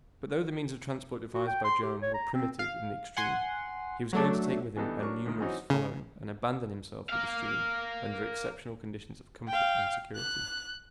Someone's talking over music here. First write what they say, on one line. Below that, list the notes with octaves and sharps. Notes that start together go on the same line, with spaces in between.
But though the means of transport devised by Joam were primitive in the extreme, he was going to take with him a numerous following and abandon himself to the stream under exceptional conditions of comfort and security.
F#4
G5
C6
G4
C#5
A#5
C4
F5
F#5 G#5 C6
F#3 A3 D4
E3 G3 B3 D4 D#4 A4
F#3 D4 A#4 C#6
A2 D#3
E3 F#3 C4 D#4 F#4
C#3
A#4 F5
F5 G5
F#6